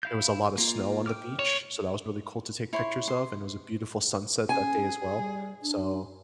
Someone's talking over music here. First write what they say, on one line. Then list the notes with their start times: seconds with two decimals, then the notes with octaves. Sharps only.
there was a lot of snow on the beach, so that was really cool to take pictures of, and it was a beautiful sunset that day as well. So,
0.03 E4 F5 G6
0.58 A#3 F4
1.06 G5 D6 F6
1.39 C#5
2.73 E4 C#5 C6
3.08 C6
4.49 C#4 G#4 G#5
5.17 G3
5.62 D4